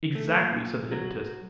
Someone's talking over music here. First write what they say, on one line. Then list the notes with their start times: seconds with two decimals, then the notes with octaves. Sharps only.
"Exactly," said the hypnotist.
0.15 A3
0.39 A#2
0.91 F#3